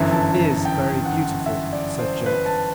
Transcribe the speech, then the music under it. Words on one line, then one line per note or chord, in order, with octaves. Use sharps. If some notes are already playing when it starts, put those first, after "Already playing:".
"She is very beautiful," said Jack.
Already playing: G1 F#2 E3 E5
A5
A5
G5
F#5
E5
D5
C5
B4
A5